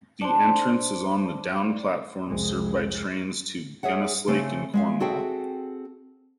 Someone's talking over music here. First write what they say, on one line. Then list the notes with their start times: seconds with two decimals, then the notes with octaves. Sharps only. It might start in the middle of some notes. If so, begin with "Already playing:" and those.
The entrance is on the down platform, served by trains to Gunnislake and Cornwall.
0.21 D4 C5
2.27 C2 F2 G#3
3.83 G#4 C#5 E5 F#5
4.28 C#3 A3 C4
4.74 G#3 E5 F5
5.00 C4 F#4 G#4 A4 E5 G5